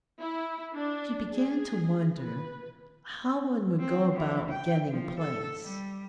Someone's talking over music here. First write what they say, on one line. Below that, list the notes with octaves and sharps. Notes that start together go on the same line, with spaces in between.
She began to wonder how one would go about getting a place.
E4
D4
G#4
B4
C4
E3
G5
F3
A4
G3